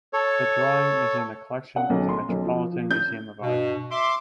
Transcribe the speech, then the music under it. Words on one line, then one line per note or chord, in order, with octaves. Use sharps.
The drawing is in the collection of the Metropolitan Museum of Art.
A4 C#5
F#5
B1
C6
B1
F3
F3
G6
G2 B2
E5 C6 D6